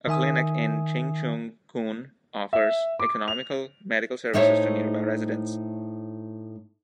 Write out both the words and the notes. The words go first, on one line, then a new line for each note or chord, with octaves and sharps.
A clinic in Ching Chung Koon offers economical medical services to nearby residents.
D#3 E5 G#5 D#6
E5
D6
F7
A2 A3 D#4 C5 C#5 E5